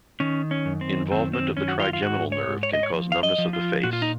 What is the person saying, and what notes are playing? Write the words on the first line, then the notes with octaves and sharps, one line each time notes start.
Involvement of the trigeminal nerve can cause numbness of the face.
D#3 C#4
C#4
F#2
C4
D#3 C4
C4
F#2 C#4
F#4
F4
F4
G#2 F#4
C#5
G#2
C#5
D#5
C#5
F3
F5
D#5
F3
F4
A#2 F#4
F4
D#4